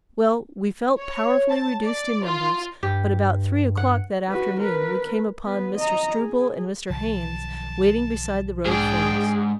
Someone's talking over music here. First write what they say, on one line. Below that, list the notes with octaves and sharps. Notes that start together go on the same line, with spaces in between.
Well, we felt powerfully reduced in numbers, but about three o'clock that afternoon we came upon Mr. Struble and Mr. Haynes waiting beside the road for us.
C#5
A5
D5
F4
G2 G4
F#5
F#4 B4
A#4 B4
B3 B4
D#5 A#5
G#4
B1 D#3 F3 A5
G#2 D4 G#4 G5